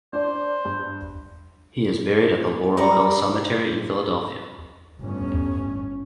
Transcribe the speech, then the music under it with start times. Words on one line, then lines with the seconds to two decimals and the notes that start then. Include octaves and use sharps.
He is buried at the Laurel Hill Cemetery in Philadelphia.
0.13 D4 C5 D5
0.65 G2
2.77 G3 D#4 D5 A#5
4.99 G1 A2 C#4